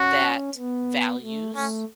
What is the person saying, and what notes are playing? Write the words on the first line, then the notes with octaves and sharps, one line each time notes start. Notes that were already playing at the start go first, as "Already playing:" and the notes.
that values
Already playing: C#4 F#4
B3
A3
A3 C#4